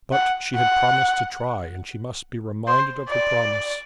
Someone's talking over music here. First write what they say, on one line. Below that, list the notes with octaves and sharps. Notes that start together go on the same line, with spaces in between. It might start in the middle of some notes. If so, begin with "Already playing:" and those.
But she had promised to try, and she must be reminded of her promise.
F#5
F#5
C5
D5